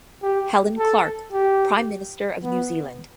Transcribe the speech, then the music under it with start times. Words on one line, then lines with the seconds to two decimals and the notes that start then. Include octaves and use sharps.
Helen Clark, Prime Minister of New Zealand.
0.23 G4
0.78 A4
1.33 G4
2.44 B3